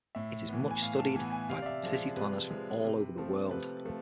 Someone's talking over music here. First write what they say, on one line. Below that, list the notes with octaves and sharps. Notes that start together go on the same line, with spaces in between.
It is much studied by city planners from all over the world.
A2 E5
E3 B3
G#5
A2 F5
A5
E3 B3 G#5
G#5
C3 F5
D5
E5
F3 G#3
C3 B4
F3 G#3
C3
F3 A3 C4
C3 B4
F3 A3